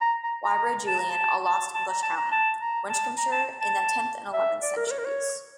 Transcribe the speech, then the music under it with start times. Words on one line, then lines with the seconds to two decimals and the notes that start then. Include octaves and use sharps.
Whybra, Julian, A Lost English County: Winchcombeshire in the Tenth and Eleventh Centuries.
0.01 A#5
0.23 A#5
0.45 A#5
0.87 A5
0.98 A#5
1.10 A5
1.45 A5
1.74 A5
1.88 A#5
2.03 A5
2.17 A#5
2.32 A5
2.60 A#5
2.89 A5
3.17 A#5
3.32 A5
3.61 A5
4.33 E5
4.62 D5
4.77 A#4
4.87 A#4
4.91 C#5
4.99 A#4
5.05 C#5